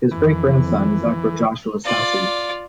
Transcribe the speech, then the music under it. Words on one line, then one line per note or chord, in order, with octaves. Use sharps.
His great-grandson is actor Joshua Sasse.
F2 D#3 E3
F4 D5